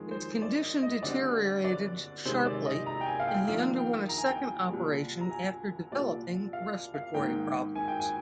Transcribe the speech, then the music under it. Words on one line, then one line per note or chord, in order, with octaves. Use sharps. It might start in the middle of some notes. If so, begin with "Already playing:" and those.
His condition deteriorated sharply, and he underwent a second operation after developing respiratory problems.
Already playing: F2 D#3 G#3
C5
D5
D#5
D#5
D2 D3 G3 C4 D5
D5
C3 D#3 G#3 D#4 C5
D5
D#5
A#5
G5
G#5
F5
G5
F2 D#3 A#3 D4 F5
G5
A#5
G#5
G5
G#5
C2 A#2 G3
A#5
G#5
C2 A#2 G3 D5
F5
F5
G#2 D#3 A#3 D#4 G5
G#5
G5
G#5